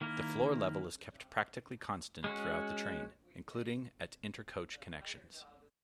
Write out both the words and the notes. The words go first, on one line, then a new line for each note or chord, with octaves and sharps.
The floor level is kept practically constant throughout the train, including at inter-coach connections.
D#3 A#3 E4 A#4
G#3 C#4 F#4